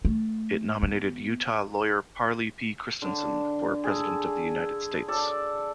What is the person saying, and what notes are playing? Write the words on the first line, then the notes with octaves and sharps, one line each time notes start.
It nominated Utah lawyer Parley P. Christensen for President of the United States.
A3
B3
D3
G#4 A4
A4 D5